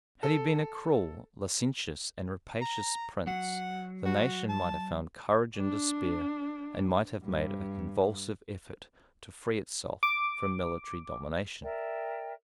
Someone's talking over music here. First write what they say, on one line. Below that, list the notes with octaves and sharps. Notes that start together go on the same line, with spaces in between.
Had he been a cruel, licentious, and rapacious prince, the nation might have found courage in despair, and might have made a convulsive effort to free itself from military domination.
A4
A#5
F#3 F#5
F#4
A5
D4
G2
D6
A#4 D5 E5 G5